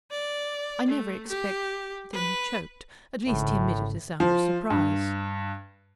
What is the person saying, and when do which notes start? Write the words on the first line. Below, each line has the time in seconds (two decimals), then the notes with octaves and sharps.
"I never expec--" Then he choked; at least, he emitted a sound of surprise.
0.11 D5
0.89 A3
1.28 G4
2.13 B4
3.27 G#1 A2 C#3
4.20 F3
4.70 G2